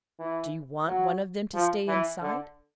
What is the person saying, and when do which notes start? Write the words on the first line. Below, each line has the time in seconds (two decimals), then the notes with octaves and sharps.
Do you want one of them to stay inside?
0.19 E3
0.87 F#3
1.54 F3
1.88 E3
2.22 D3